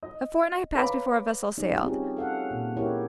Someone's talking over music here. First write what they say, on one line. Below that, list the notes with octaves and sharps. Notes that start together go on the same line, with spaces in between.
A fortnight passed before a vessel sailed.
D#5
B4 C#5 F5 A#5 B5 D6
G3 C#4 D#4
C4 C#4 F4 G4 G#4
A4 F5 F#5
A#2
C#4 E4 G4 G#4 A#4 C#5